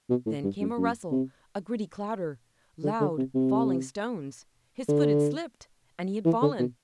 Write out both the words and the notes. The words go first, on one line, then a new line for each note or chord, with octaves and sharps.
Then came a rustle, a gritty clatter, loud falling stones: his foot had slipped, and he had fallen.
B2
A2
G2
F#2
F#2
C3
D3
D3
C3
C3
D3
E3
D3
B2